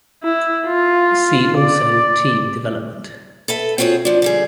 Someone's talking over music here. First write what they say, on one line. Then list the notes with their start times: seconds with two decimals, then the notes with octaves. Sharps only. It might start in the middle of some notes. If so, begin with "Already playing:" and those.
See also Team development.
0.23 E4
0.66 F4
1.58 D5
3.48 A4 B4 E5
3.78 C4 F4 F#4 G#4 C#5
4.05 F3 D4
4.22 D3 G3 G#4